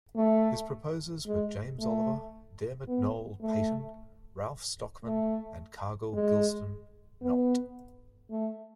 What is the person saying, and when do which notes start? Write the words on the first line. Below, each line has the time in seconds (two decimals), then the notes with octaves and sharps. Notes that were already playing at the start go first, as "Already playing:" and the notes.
His proposers were James Oliver, Diarmid Noel Paton, Ralph Stockman and Cargill Gilston Knott.
0.16 A3
1.26 G#3
1.80 A3
2.88 B3
3.42 A3
5.05 A3
6.14 G#3
7.22 B3
8.31 A3